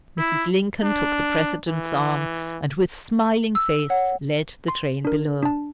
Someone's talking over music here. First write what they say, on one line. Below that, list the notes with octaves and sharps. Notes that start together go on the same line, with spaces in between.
Mrs. Lincoln took the President's arm, and with smiling face led the train below.
E4
D4
E3
E6
C#5 F#5
C6
D4 A#4
D4 A5